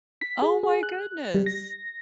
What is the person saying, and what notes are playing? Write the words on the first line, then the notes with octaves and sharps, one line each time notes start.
Oh, my goodness.
B6
G#4
G#4
F#6
G3
A#6